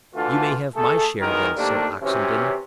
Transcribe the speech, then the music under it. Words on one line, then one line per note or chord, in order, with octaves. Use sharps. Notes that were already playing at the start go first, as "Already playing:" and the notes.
"You may have my share, then," said Oxenden.
D3 E3 A3 F4 F#4
A3 G#4 A4
B1 D#3 E3 G#3 A#4
D#2 C3 A3 A#3 D4
C3 E3 F#3 C#4